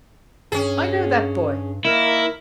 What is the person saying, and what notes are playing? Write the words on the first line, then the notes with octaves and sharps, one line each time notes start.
I know that boy.
G2 C#4 G#4
D#3 A#3 E4 A#4